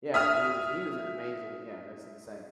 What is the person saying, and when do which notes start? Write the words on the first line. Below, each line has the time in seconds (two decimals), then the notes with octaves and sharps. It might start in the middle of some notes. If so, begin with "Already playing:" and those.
Yeah, I mean, he was he was an amazing yeah, that's insane.
0.14 E5 D#6 F6